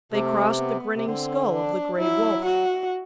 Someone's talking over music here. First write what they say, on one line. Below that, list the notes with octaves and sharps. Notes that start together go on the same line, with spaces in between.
They crossed the grinning skull of the gray wolf.
C3 A3
B3
C3
D3 C4
D4
F#3 E4
F#4